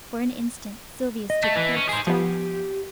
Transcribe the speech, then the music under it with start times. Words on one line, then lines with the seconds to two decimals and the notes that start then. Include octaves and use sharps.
For an instant Sylvia stood quite still.
1.30 D#5
1.44 A3
1.56 E3
1.76 C#4
1.89 G#4 C5
2.07 F3 B3 G4